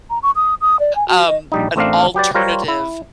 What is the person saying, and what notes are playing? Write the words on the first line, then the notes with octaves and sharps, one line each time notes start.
um, an alternative
A#5
C#6
D#6
D#6
D5
G#5
F#4
D#5
A#1 G3 D#4
A1 A3 C4 D4 A#4 F5
F#3 G4 B4 D5
G3 F4 A#4 C5 C#5
E4